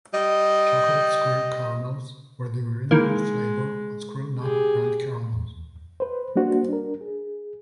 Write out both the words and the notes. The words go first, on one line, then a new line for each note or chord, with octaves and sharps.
Chocolate Squirrel caramels were the original flavor of Squirrel Nut brand caramels.
G3 D#5
D#3 E3 G#3 A#3
G4 G#4
E2
B4 C5
G3 A#3 D4 F#4 C5
D4 A#4
G#4